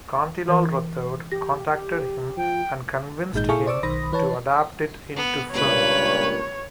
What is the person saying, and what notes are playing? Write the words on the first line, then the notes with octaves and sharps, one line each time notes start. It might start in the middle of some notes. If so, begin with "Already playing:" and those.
Kantilal Rathod contacted him and convinced him to adapt it into film.
E3 A#4
G4 A#6
G4
F3 G5
G#1 A#2 G#3 D#4 G6
A#2 E4 G#4 A4 F5 C#6
C5 D5 C#6 D6 E6
B1 D#3 C5 B5 D#6 A#6
E3 B4 C#5 A5
B3
C#2 G2 A#2 B4 C#5